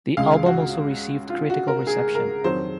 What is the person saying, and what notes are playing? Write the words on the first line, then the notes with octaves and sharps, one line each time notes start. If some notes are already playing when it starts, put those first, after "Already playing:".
The album also received critical reception.
C#2 C#3 G#3 F5
F#4
F4
F#4
A#4
G#4
A#4
F2 D#3 F#3 C5